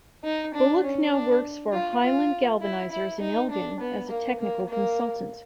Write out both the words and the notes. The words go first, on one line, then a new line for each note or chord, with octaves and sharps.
Bulloch now works for Highland Galvanisers in Elgin, as a technical consultant.
D#4
D4
C#4
D4
F4
F4
E4
E4
D#4
D4
B3
A#3
A#3
A#3